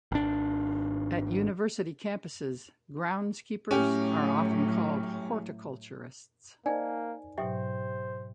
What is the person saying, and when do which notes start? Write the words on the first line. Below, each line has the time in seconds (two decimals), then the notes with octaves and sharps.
At university campuses, groundskeepers are often called horticulturists.
0.12 G#1 D4
3.71 A2 F#3 C#4 G4
6.66 A#3 D#4 A#4 C5 D5 D#5 G#5
7.38 G#2 B2 F#3 G4 C5 E5 G5